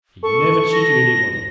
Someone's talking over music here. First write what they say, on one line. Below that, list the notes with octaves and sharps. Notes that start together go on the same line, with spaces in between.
He never cheated anybody.
A4 C#6
A#6